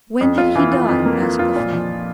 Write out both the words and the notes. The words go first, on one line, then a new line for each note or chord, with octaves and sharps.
"When did he die?" asked the father.
F2
F4
E3
F4
F2
A#3
F4
F4
A#2
F3